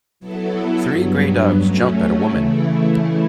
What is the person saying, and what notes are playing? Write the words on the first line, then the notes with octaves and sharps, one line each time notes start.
Three gray dogs jump at a woman.
F#3 B3 E4 A4
G2 F#3 B3
F#3 A3 C#4
C#3 E3 A3 E4